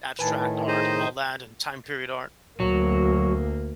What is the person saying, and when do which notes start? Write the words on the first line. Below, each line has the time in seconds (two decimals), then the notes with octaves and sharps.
abstract art and all that and time period art.
0.19 A2 D#3 B4 G#5 A5
0.68 D#4 G#4 C5 D#5
2.60 D2 F#3 A#3